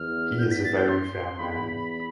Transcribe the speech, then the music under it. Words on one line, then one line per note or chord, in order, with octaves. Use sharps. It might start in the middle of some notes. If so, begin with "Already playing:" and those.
He is a very fair man.
Already playing: E2 F6
G6
B6
A6
G6
C6
E2 B5